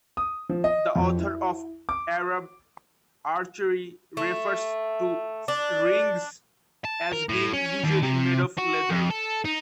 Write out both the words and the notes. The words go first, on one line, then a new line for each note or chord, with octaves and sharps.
The author of "Arab Archery" refers to rings as being usually made of leather.
D#6
F3
D#5
F2
E4
D6
A3
D4
A5
A#4
A2
C#4
D#2
C3
F#4
F2
A4
D#4